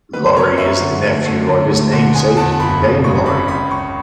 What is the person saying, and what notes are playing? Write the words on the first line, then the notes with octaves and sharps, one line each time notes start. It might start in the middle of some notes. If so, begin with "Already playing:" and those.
Laurie is the nephew of his namesake Daine Laurie.
B3 B4
B3 C#5
F#2 E5
D3
A3
A3
D2
A3
D3
B2 G#5
E2 A5
F#1 B5
G#1
C#3 C#6
C#3 B5
C#2 B5
C#2 C#6